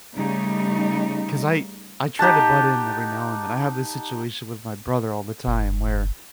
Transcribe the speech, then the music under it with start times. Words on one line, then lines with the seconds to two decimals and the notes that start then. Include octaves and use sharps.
'cause I I try to butt in every now and then. I have this situation with my brother all the time where
0.15 C#3 G3 A3 D#4
2.19 D#4 G4 F#5 A5
5.47 F#1